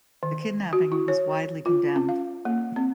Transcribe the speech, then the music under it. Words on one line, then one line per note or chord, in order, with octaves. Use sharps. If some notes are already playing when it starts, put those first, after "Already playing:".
The kidnapping was widely condemned.
D#3
F#4
E4
C#5
F4
C#4
F5
A#3
C4